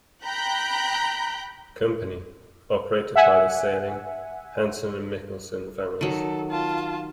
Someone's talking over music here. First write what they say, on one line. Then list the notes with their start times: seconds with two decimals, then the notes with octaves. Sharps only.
Company, operated by the Sailing, Hanson and Michelson families.
0.24 G5 A#5 B5 F#6 G6
3.16 E5 F#5 G#5
6.01 D#3 F#3 A4
6.51 F4 A5